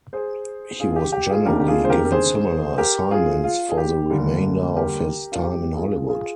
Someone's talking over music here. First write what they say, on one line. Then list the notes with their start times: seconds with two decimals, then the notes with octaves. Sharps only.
He was generally given similar assignments for the remainder of his time in Hollywood.
0.13 G#4 C5
0.79 F4 G#4
0.96 G4
1.12 G4
1.29 F4 G#4
1.45 D2 C3 D#3 A#3 D4 G4 A#4
1.60 G4
1.68 F4 G#4
1.84 C5
1.90 G4 A#4
2.05 A#4
2.11 G#4 C5
2.78 G4 A#4
3.11 F4 G#4
3.44 F4
3.69 G#4
3.77 G4
4.10 D2 D3 G3 A#3 D4
4.76 G4 A#4
5.32 F4
5.42 G4
5.75 F4 G#4
6.08 F4 G#4